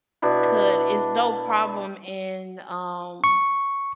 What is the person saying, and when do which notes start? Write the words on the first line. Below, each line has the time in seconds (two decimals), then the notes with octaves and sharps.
could, it's no problem in, um
0.22 B2 D4 E4
3.24 C#6